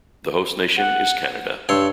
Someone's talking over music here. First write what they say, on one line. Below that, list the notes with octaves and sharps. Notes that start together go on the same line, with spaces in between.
The host nation is Canada.
F#5
G2 C#5 C6 E6